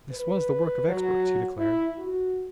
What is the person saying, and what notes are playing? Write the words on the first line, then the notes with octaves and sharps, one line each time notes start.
"This was the work of experts," he declared.
B4
F#3
E4
F#4